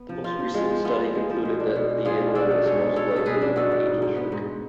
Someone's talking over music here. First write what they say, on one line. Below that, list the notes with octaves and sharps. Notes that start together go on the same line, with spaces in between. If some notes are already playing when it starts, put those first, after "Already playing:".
The most recent study concluded that the animal was most likely an angelshark.
Already playing: B3
F3
F3 F4
F3
G#3 F4
F3
B3 F4
F3
G#3
F3
B2
D4
B2
G#3
D4 F4 G#4
B2
D4 F#4 A4
B2
G#3 A4 C#5
B2
B2 A4 C#5
B2
A4
B2 G#4 B4
D4
B2 F#4 A4
B2
G#2
G#2
B3
G#2